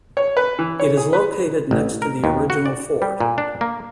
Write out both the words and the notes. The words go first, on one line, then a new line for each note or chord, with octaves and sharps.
It is located next to the original fort.
C#5
B4
E3
C#5
G#4
B4
A1
A#4
D#2
F#4
D5
G3
A#2
D4
A#3